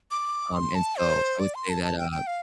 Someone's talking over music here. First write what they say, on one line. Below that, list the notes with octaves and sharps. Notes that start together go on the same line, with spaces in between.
um, and so I would say that, uh
D6
C6
A5
C5
D5
C6
A5
A5
G5
G5
F5